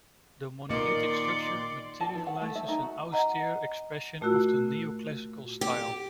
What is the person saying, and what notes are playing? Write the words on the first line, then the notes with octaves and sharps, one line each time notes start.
The monolithic structure materializes an austere expression of the neoclassical style.
A#2 D#3 A#3 D5 C6 C#7
A5
E3
F#5
A3
E5
D#4
F#4
D#5 F#5 A#5
A#2 A3 F4 F#4 E6 F#6
G4